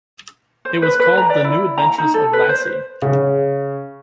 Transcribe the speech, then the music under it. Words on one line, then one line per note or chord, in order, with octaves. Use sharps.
It was called "The New Adventures of Lassie".
C5
B4
B4
A#5
D5
E4
A#5
D#4
A4
B4
C5
C#3